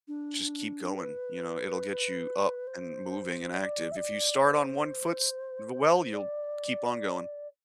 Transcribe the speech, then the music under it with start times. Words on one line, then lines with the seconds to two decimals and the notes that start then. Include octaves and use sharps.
just keep going, you know? It'll get you up and moving and active. If you start on one foot s well, you'll keep on going.
0.08 D4
0.95 B4
2.67 C5
3.54 D5
3.92 E5
3.97 D5
4.40 C5
6.14 D5